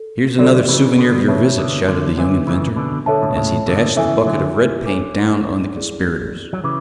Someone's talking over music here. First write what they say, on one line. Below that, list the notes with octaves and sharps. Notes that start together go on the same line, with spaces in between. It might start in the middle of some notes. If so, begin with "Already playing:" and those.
"Here's another souvenir of your visit," shouted the young inventor, as he dashed the bucket of red paint down on the conspirators.
Already playing: A4
D3 F#3 F#4 A4 D5
C#3 E3
B2 D3
C#3 E3 C#5 E5 A5
B2 D3
D3 F#3
D3 F#3 B4 E5 G#5 D6
C#3 E3
B2 D3
B2 D3 A4 C#5 E5 A5
A2
B2
A2 C#3
B2 D3
C#3 E3 E4 A4 E5 G#5
D3 F#3
A4 C#5 G#5 D6
E4 G#4 D5
F#3
C#3 E3 D6